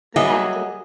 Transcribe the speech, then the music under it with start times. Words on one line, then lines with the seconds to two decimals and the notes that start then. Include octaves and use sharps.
but at the
0.16 F#3 G3 G#4 D#5 E5